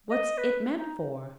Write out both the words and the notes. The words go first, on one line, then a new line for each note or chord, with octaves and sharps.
'What's it meant for?'
D#5
B4
D#4